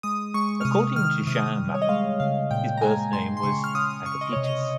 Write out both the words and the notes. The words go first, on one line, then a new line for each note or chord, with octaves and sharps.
According to Jean Mabillon, his birth name was Agapitus.
G#3 D#6
G#3 C#6
F6
C3 D#6
D#3 F6
C3 D#6
G3
C#5
D#5
G#3 F5
C#3 F5
A#2 G5
A#5
G#3 G#5
G#3 C6
C6
C#3 C#6
F6
C#3 D#6
D#6
C#3 C#6
D#5
C3 C#5
D#5